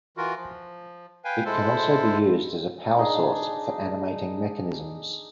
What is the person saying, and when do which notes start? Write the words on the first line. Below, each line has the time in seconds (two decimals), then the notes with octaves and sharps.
It can also be used as a power source for animating mechanisms.
0.17 E3 F4 F#4 A#4
0.36 F3
1.24 B4 F5 G5 G#5
1.45 G#3 E4 A4 C5
2.97 D4 D#4 G#4